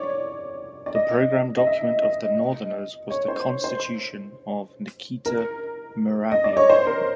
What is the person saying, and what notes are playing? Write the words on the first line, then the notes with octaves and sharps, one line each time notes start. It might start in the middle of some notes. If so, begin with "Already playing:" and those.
The program document of the "northerners" was the "Constitution" of Nikita Muravyov.
Already playing: C#5 D5
D5
D#5
D#5
E5
D#5
C#5
C5
C5
A#4
D#5
D5
C#5
C5
A#4